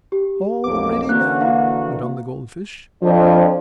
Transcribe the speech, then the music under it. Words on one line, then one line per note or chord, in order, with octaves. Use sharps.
"All ready now!" went on the gold fish.
G4
B1 F2 A#3 D6
D3 E3 A#3 F#4 F#6
A#3 F5
F2 F3 D4